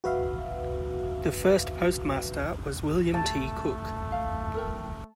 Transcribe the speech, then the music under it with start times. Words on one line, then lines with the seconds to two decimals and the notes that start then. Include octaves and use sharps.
The first postmaster was William T. Cook.
0.04 F#4 B4 E5 F5
3.14 A3 G4 A5
4.12 F5
4.54 A4 A#4 G5